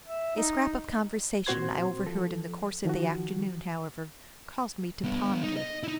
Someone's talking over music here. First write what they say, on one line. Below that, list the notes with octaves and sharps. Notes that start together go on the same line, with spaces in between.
A scrap of conversation I overheard in the course of the afternoon, however, caused me to ponder.
E5
D#4
A#2 C4 F#4 C5 C6 G#6
F3 A4
D#3 F3 F#4
G3 B3
D#4
D#5
D#4 E4